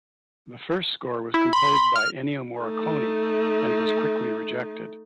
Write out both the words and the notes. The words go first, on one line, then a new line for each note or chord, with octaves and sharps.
The first score was composed by Ennio Morricone and was quickly rejected.
E4
B5 C6
F6
A3 D#4